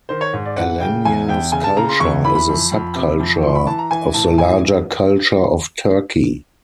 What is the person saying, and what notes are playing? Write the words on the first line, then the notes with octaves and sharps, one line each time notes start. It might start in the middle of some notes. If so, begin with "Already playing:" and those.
Alanya's culture is a subculture of the larger Culture of Turkey.
D#3 C5
C#5
G#2
D5
E3 F#5
C#3 G5
E2 G#5
E2 G5
C#3 G#5
A5
C#3 A#5
C6
E2 C#6
E3 B5
B5
F2
F2
C3
F2
E3 C6
B5
E3 A5
A#5
E3 G#5
A2 A5
E3 G#5